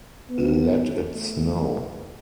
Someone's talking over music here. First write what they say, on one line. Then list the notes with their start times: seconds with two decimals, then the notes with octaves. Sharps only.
Let it snow.
0.30 B3
1.14 A3